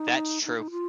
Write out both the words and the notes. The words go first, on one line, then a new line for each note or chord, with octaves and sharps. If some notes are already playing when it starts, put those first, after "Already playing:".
That's true.
Already playing: D#4
D#4
D#4
F4